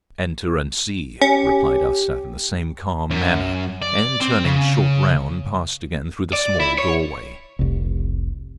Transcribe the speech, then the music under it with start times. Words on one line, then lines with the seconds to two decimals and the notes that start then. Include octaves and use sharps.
"Enter and see," replied Arsat, in the same calm manner, and turning short round, passed again through the small doorway.
1.21 C#4 G4
3.10 F#2
3.82 D5
4.20 C4
4.45 C#3
6.33 D5
6.60 E4
6.78 C#5
7.59 F1 C2